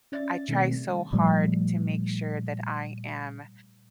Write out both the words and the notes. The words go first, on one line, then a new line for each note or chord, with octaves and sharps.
I try so hard to make sure that I am
C#4 D5 E5 A6
B2 D#3 G3 A3 A#3 C4
G3
A#2 F3 G3 A3